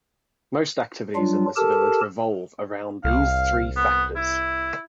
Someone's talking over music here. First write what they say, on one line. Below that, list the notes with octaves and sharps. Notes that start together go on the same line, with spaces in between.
Most activities in this village revolve around these three factors.
F#3 G3 D4 F4
G4 A4 A#4 A5
C2 F5
B3
E4